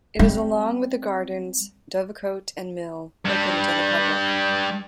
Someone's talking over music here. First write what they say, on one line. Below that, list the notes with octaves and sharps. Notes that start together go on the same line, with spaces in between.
It is along with the gardens, dovecote and mill open to the public.
G3 C4
G2 G3